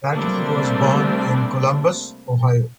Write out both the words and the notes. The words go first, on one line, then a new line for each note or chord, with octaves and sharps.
Bradley was born in Columbus, Ohio.
C3 G3 A3 A#3 C4 D4